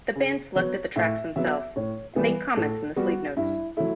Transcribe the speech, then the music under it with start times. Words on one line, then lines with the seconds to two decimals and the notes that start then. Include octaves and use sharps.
The band selected the tracks themselves, and made comments in the sleeve-notes.
0.15 C#3
0.56 F#3 B3 C#5
0.96 A2 E5
1.36 F#3 B3 E5
1.76 A2 C#5
2.16 E3 G3 B3 B4
2.56 A2 A4
2.96 G3 B3 F#4
3.37 G2 E4
3.77 F#3 A3 E4